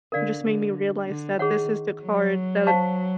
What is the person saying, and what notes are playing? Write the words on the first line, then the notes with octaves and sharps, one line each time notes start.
just made me realize that this is the card that
D3 A#4 D5 F5
D3
D3
D#3 G#4 C#5 F#5
F#3
C5 F5 A5 C#6